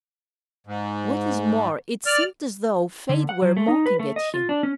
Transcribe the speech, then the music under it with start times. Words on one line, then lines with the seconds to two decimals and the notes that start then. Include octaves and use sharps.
What is more, it seemed as though fate were mocking at him.
0.67 G#2
2.06 D5 F6
3.09 D3
3.29 F#5
3.42 F#3
3.57 A3
3.68 D#4
3.86 B4
3.99 A3
4.16 D#5
4.34 F4
4.49 D4
4.63 C#4